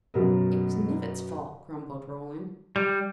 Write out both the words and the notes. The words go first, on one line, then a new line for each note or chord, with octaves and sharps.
"It was Knivett's fault," grumbled Roland.
F#2 B2 A#4
G3